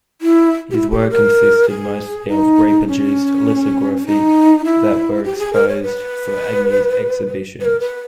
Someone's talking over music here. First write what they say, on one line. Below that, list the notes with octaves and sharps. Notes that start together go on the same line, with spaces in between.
His work consisted mostly of reproduced lithography that were exposed for Agnew's exhibitions.
E4
G4
E4
G4
A#4
G#4
D#4
C#4
D#4
E4
G4
G#4
A#4
C#5
B4
B4
A#4
B4